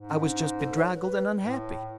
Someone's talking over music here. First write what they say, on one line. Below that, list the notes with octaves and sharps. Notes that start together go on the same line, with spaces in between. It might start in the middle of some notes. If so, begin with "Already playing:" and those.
I was just bedraggled and unhappy.
Already playing: G#2
C#4
C#4
A4
C#5
B4
A2